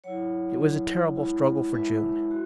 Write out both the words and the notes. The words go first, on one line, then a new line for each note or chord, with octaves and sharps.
It was a terrible struggle for June.
F#3 E4 C#5 F#5
F#3 E4
G#3 E4
G#3 E4 B4 E5
F#4